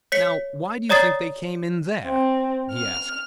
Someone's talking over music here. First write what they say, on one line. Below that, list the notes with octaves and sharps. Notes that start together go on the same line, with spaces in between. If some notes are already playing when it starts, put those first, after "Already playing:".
"Now why do you think they came in THERE?" he asked.
C#5 B6 C#7
C#5 D5 A#5 D#6 A6 C7
C4
F6